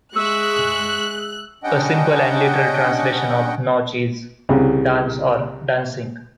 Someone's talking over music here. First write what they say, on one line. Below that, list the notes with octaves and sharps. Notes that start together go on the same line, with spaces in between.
A simple and literal translation of Nautch is "dance" or "dancing".
G#3 E5 C#6 E6 F#6
G3 C#4 D4 D#5 F#5 G5
C2 C#3